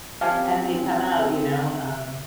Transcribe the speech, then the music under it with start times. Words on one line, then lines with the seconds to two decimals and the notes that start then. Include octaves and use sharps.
and they come out, you know, um,
0.21 F3 C4 C#4 G4 F5 G#5 A5